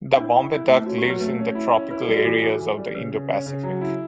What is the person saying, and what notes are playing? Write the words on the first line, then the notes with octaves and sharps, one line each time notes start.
The Bombay duck lives in the tropical areas of the Indo-Pacific.
D4 E4
E4
E4
A3
C#4 F#4
G4
F#3
B4
A3 B4
C#4
E4
C#4
E4 B4
A4
G3
F#4
E3 A4
E3
E3
G3
C#3 B4
C#3
C#4
C#3
F#3
E4